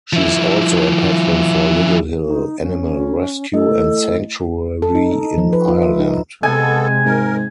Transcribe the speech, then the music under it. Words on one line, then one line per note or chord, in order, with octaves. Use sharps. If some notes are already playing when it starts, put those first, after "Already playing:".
She is also a patron for Littlehill Animal Rescue and Sanctuary in Ireland.
F3 E4
D#4
C#4
A3 E4 A4 D#5
A4
D#4
D#5
F3
B4
F4
E5
D#4
C3 G#3 B3 A4 G#5
G#2 A#4